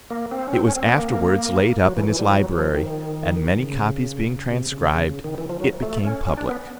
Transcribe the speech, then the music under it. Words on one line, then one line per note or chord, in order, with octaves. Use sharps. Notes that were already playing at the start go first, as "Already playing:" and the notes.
It was afterwards laid up in his library, and many copies being transcribed, it became public.
A#3
C4
C#4
C4
C#4
C4
B3
A#3
F#3
E3
E3
G3
F#3
F3
D#3
C#3
C3
C#3
C#3
C#3
D#3
E3
F3
F#3
A3
C#4
C#4
D4
B3